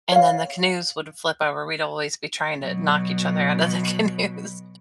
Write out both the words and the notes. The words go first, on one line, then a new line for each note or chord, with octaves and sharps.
and then the canoes would flip over. We'd always be trying to knock each other out of the canoes
C#5 F5
B2 F#3